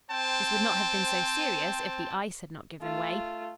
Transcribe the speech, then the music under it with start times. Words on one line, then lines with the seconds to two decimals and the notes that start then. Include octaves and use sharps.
This would not have been so serious if the ice had not given way.
0.10 C4 C5 G5 A5
2.82 A3 F4